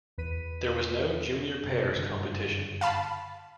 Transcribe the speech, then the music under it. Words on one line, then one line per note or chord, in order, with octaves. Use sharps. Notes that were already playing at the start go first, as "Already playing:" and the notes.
There was no junior pairs competition.
E2 B4 B6 D#7
F#1 C3
F#1 G2 D3
F5 A5 B5